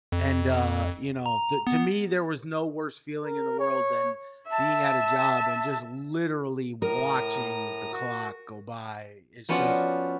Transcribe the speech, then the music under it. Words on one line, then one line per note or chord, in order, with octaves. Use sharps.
and, uh, you know, the To me, there was no worse feeling in the world than being at a job and just literally watching the clock go by. It's just
F2
A#5
B3
A#4
C#5
E5 A5
A2 A#4 A#5 D#6
F#4
F3 B3 C#4 F4 F#4 D5